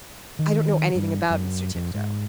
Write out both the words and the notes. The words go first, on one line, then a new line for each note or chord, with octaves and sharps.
"I don't know anything about Mr. Tifto."
D#3
G2
F#2
F2
G#2